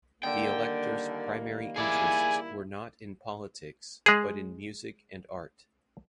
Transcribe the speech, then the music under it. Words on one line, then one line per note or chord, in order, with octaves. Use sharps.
The elector's primary interests were not in politics, but in music and art.
D3 D#3 G3 A#3 G5
E4 G#4 D5 G#5
G#3 G#4